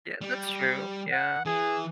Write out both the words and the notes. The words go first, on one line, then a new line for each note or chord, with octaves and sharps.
Yeah, that's true, yeah.
G3
F#5
E3 G#4